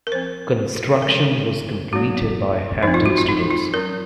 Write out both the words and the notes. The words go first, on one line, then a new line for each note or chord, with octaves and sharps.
Construction was completed by Hampton students.
A#4
F3 C4 C5
F3 G#3 C4 A#4
F#3 A#3 C#4 F#4
F3 C4 D#4
F4
F#4
F4
D#4
F4
F#3 C#4 A#4